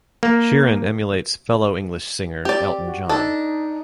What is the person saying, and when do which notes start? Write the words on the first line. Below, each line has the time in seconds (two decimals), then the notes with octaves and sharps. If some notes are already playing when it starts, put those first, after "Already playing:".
Sheeran emulates fellow English singer Elton John.
0.23 A#3
2.45 C4 G4 D5
2.87 F#4
3.09 D4 D#4 A4